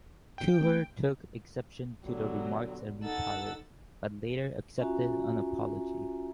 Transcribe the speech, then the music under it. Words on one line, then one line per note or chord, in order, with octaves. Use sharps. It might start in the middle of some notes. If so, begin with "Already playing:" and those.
Tooher took exception to the remarks and retired, but later accepted an apology.
G5
A3 C4
B2 D3 F#3 G3
D#4 A4 F#5 E6 A6
C#4 F4 F#4 E5 G#5 A#5